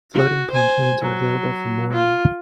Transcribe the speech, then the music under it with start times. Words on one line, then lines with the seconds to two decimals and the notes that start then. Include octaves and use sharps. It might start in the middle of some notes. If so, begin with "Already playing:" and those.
Floating pontoons are available for mooring.
0.14 F#4
0.51 C5 G#5
1.01 F#3
1.93 F4